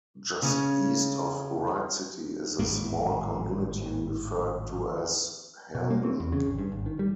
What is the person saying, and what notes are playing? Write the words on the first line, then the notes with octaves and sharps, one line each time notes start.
Just east of Wright City is a small community referred to as Herndon.
C#3 C#4
G#1 A2 G#3 A#3
B2
A#3
C4
E2
C#3
G#1
G2
G#1
D#3
G3